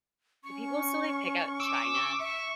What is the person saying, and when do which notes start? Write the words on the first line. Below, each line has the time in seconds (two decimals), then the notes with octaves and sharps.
do people still, like, pick out china?
0.44 C#4 C#6
1.60 D6 E6
2.19 E5 C#6